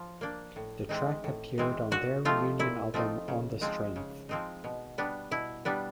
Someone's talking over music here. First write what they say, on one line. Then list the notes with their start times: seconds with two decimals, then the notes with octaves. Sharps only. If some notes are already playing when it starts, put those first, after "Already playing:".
The track appeared on their reunion album "On the Strength".
Already playing: F3
0.21 A#3 D4
0.56 A2
0.89 E3 G#3 C4 D#4
1.24 A2
1.58 E3 G#3 C4 D#4
1.91 A#2 F#4
2.25 F3 A3 C4 D#4 F4
2.59 A#2 E4
2.94 F3 A3 C4 D#4
3.28 C#3
3.61 F3 G#3 C4 D#4
3.96 C#3
4.29 F3 G#3 C4 D#4
4.64 B2
4.98 G3 B3 D4
5.31 B2 E4
5.65 G3 B3 D4